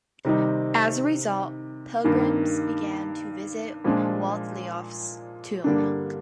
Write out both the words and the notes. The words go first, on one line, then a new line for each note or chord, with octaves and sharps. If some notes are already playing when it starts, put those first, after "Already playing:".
As a result, pilgrims began to visit Waltheof's tomb.
C3 D#3 G3 C4 D#4
G2 D#3 A#3
A#2 F3 G#3 D4
G2 D3 G3 A#3 D4